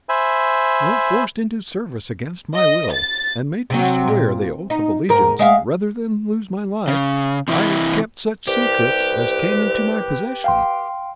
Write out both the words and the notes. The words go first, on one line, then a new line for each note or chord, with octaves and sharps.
Though forced into service against my will, and made to swear the oath of allegiance, rather than lose my life, I have kept such secrets as came into my possession.
C5 E5 G#5 B5
D#5
A6
C3 F#3
A#2
D#4
G#2 A#4
G#3 E5 F5
C#3
C3 E3 E4 G5
C2 G4 B4
F5 G5 C6